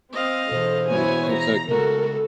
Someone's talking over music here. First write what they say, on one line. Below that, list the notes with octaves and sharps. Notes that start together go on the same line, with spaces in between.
you know, it's like, "Huh."
C4 D#5 F5
B2 E3 A4 C5
B3 E4 F#4 C#5 G#5
A#5
C#3 G#3 A3 F#4 A4 A#4